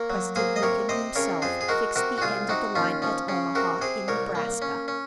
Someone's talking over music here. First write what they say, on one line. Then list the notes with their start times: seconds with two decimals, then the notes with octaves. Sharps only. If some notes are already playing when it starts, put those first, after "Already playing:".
President Lincoln himself fixed the end of the line at Omaha, in Nebraska.
Already playing: A#3 A#4 C#5
0.10 F#3
0.36 A#3 G#4 C5
0.56 D#5
0.62 C3 A#4 C#5
0.89 C3 C5 D#5
1.15 C#3 A#4 C#5
1.42 F2 G#4 C5
1.61 G#4
1.68 G#3 F#4 A#4
1.96 C3 F#4 A#4
2.18 F#4
2.22 C2 F4 G#4
2.49 C3 D#4 F#4
2.75 D#2 C#4 F4
3.02 F3 C#4
3.28 C#3 C#4
3.55 C3 F#4 A#4
3.81 C3 G#4 C5
4.08 C2 A#4 C#5
4.35 A#3
4.62 C#4
4.88 C#4